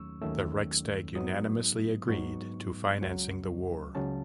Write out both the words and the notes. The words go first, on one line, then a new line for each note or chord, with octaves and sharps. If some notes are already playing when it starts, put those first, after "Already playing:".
The Reichstag unanimously agreed to financing the war.
Already playing: D#2 D#3 F#3 A3 C#4 C#6 E6
D#2 D#3 F#3 A3 C#4 E6
G#2 F#3 B3 D#4 D#6
G#2 F#3 B3 D#4 C#6
C#2 C#3 F#3 C#4
C#2 C#3 F#3 C#4 A5